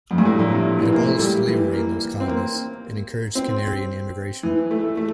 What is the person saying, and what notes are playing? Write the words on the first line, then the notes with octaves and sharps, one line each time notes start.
It abolished slavery in those colonies, and encouraged Canarian emigration.
F2
G2
A2
A#2
C3
E3
A#3
A3
G3
E3
A#3
C4
A#3
C4
E3
A3
A3